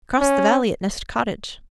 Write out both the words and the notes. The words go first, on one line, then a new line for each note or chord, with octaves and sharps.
"Across the valley at Nest Cottage!"
C#4